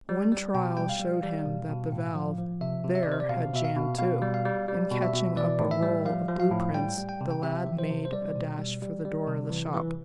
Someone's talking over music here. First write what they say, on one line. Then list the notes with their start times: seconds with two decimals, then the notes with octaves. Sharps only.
One trial showed him that the valve there had jammed too, and catching up a roll of blue prints the lad made a dash for the door of the shop.
0.09 G3
0.32 G3
0.54 B2 G5
0.77 G3 G5
0.89 F5
1.00 G3
1.23 G3
1.46 B2
1.69 B2
1.92 A2
2.15 F3
2.38 F3
2.61 C3 E5
2.84 C3
2.95 E5
3.03 D5
3.07 C3 C5
3.20 D5
3.29 B2 F5
3.53 B2 E5
3.65 F5
3.76 B2
3.98 B2 F5
4.22 G3
4.34 F5
4.45 G3
4.68 G3
4.91 B2
5.02 E5
5.13 B2
5.36 E3 D5
5.59 A2
5.71 E5
5.83 G3
6.05 F3 F5
6.28 F3
6.40 F5
6.51 A2
6.74 G3 G5
6.98 G3
7.09 G5
7.21 C3
7.31 G5
7.43 C3 E5
7.67 F3
7.79 C5
7.90 C3
8.05 C5
8.13 G3 D5
8.36 B2
8.59 G3
8.82 G3
9.05 G3
9.27 C3
9.50 E3
9.74 E3